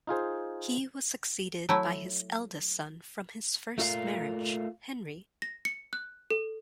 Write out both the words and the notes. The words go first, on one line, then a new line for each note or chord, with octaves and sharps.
He was succeeded by his eldest son from his first marriage, Henry.
D#4 F4 G#4 C5
F#3 A3 E4
A3 F4 A#4 F5
A#6
C#7
F#6
A4